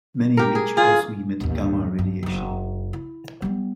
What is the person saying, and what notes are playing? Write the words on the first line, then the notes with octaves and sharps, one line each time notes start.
Many of each also emit gamma radiation.
G4 A#4
G#4
F4 G#4
A1 D#2
G2
F#1 D#4
E4
G3 B3